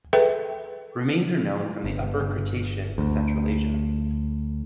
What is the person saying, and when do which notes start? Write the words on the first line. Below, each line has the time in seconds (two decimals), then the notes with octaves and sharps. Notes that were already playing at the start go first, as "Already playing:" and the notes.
Remains are known from the Upper Cretaceous of Central Asia.
0.13 G#4 A4 B4 E5 G5
1.84 G1
2.98 D2